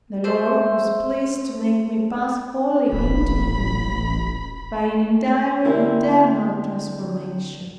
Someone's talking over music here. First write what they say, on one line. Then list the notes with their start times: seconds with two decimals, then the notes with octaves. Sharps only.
The Lord was pleased to make me pass wholly into Him by an entire internal transformation.
0.24 A3 C5
2.92 D#1 A1 B5
5.65 D3 C4 E4 G4 A#4